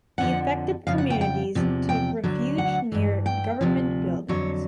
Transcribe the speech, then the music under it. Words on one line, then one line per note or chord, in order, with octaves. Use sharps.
The affected communities took refuge near government buildings.
F2 D3 F3 F#5
F2 C#3 F3 F5
F#5
G5
G5
E2 C3 F3
G5
D2 D3 F#3
F#5
G2 E3
G5
D2 C3 F3
F2 D3 F#3 C#5